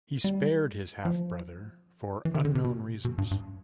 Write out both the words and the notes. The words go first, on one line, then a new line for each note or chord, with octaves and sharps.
He spared his half-brother for unknown reasons.
G3
F3
E3
D#3
D3
C3
B2
B2
G2
G2